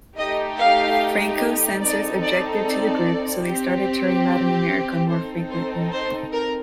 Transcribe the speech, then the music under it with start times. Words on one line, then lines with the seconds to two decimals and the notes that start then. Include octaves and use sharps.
Franco's censors objected to the group, so they started touring Latin America more frequently.
0.18 A3 D#4 G4 D#5
0.58 F5
1.81 C4 D#4 A4 D5
2.23 D5
2.63 D5
3.45 C4 G4
5.09 C4 D#4 A4 C5
5.50 C5
5.92 C5
6.33 A#4